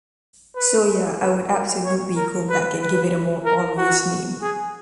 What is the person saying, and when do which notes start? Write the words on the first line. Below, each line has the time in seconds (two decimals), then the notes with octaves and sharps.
So yeah, I would absolutely go back and give it a more obvious name.
0.55 B4
1.20 B4
1.53 A#4
1.84 C#5
2.16 A#4
2.49 B4
2.81 B4
3.45 A#4
3.77 F#4
4.42 G#4